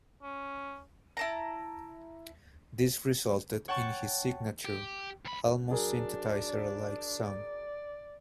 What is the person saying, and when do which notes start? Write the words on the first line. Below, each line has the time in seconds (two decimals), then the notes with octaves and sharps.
This resulted in his signature, almost synthesizer-like sound.
0.22 C#4
1.17 E4 A5 A#5
3.68 C#5 F#5 G5 A5 C#6
4.65 G4
5.25 D2 B5
5.69 F#3 D4 G#4 A#4
7.25 D5